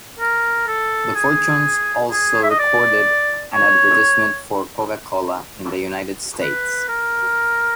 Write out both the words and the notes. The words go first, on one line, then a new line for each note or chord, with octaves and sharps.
The Fortunes also recorded an advertisement for Coca-Cola in the United States.
A#4
A4
G#4
G#4
E5
D#5
D5
C#5
B4
A#4